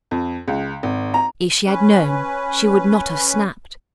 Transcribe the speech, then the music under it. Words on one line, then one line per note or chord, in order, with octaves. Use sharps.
If she had known she would not have snapped.
F2
C#2
G#1
A#5
C#4 B4